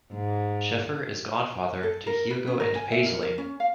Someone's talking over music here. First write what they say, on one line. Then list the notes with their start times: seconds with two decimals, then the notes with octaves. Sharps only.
Sheffer is godfather to Hugo and Paisley.
0.14 G#2
1.83 A4
2.07 A#4
2.31 B4
2.47 C#4
2.60 A#4
2.75 G#5
2.92 E5
3.06 A#4
3.22 A#4
3.38 C#4
3.60 F5